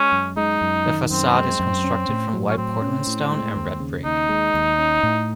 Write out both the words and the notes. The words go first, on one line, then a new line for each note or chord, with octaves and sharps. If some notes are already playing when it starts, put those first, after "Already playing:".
The facade is constructed from white Portland stone and red brick.
Already playing: G#3 C#4
F#2
G#3 D#4
F#2
D#3
F#2 C4
G#3
F#2
C#4
A2
F#3
C#4
A2 C4
C#4
A2
G#3
D#2
C#3
D#2 D#4
G#3
D#2
C#4
A2